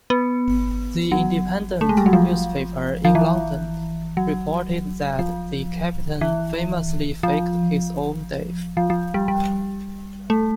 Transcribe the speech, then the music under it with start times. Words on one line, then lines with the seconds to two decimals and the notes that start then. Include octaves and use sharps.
The Independent newspaper in London reported that the Captain famously faked his own death.
0.10 B3
1.12 F#3
1.81 A3
1.89 G#3
1.97 G3
2.06 F#3
2.13 F3
3.05 F3
3.15 E3
4.17 F#3
5.19 F3
6.21 E3
7.23 F3
8.77 F3
8.90 F3
9.14 G3
9.28 G3
10.30 A3